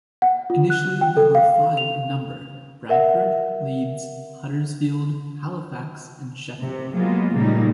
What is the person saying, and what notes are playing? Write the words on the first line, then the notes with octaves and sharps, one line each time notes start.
Initially there were five in number: Bradford, Leeds, Huddersfield, Halifax, and Sheffield.
F#5
F4
F#6
G5
A4
F5
F7
A#4 E5 F#5
C3
F#3 G#3 A#3 B3 F4
A#2 C#3 G3 A3 A#3 D#4